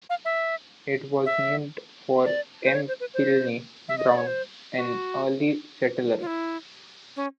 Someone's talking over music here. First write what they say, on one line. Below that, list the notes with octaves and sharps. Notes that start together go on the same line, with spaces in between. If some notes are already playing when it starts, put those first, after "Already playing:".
It was named for M. Pliny Brown, an early settler.
F5
E5
E5
D5
C5
C#5
C5
B4
C5
E5
D#5
D5
C#5
C5
F#4
F4
E4
C#4